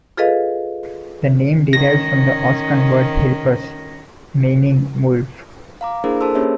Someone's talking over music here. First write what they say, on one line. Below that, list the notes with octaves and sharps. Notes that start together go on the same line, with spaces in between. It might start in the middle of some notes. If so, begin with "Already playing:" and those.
The name derives from the Oscan word hirpus, meaning wolf.
F4 G#4 A4 B4 D#5 F5
D#3 C#4 A#6
F5 A#5 D6
A#3 D4 E4 G#4 A#4 C5
A4 A#4 C5 A5 C6 E6
A#3 C#4 G4 G#4 C#5 E5